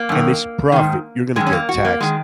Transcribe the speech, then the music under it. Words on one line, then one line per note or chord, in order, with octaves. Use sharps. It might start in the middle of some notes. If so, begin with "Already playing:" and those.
and it's profit, you're going to get taxed
Already playing: A#3
F#2 D#3
G#2 D#3
F#2 D#3 G#3
C#4
A#3
F#4
A#3
D#3 G#3